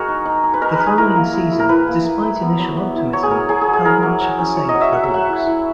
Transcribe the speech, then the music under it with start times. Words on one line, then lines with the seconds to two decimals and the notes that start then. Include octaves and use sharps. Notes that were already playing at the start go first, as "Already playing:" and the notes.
The following season, despite initial optimism, held much of the same for the Hawks.
Already playing: G#3 F#4 G#4 A#4
0.08 D#4
0.25 D#4
0.43 D#4
0.54 B4
0.62 D#4 A#4
0.74 B4
0.80 D#4
0.86 G#4
0.98 E4 A#4
1.16 A#3
1.34 E4
1.52 E4
1.60 A#4
1.69 E4 B4
1.88 A#3
2.06 A#3
2.23 E4
2.42 B3
2.59 F#3
2.77 B3
2.95 E4
3.13 F#3 C#5
3.23 G#4
3.31 F#3 A#4
3.49 F#3 G#4
3.61 G#4
3.67 F#3
3.73 G#4
3.85 E4 A#4
4.03 F#3
4.21 F#3
4.39 C#4
4.57 F#3 C#5
4.69 D#5
4.74 F#3
4.81 E5
4.93 F#3 F#5
5.03 E5
5.10 F#3 F#5
5.29 E4
5.46 E4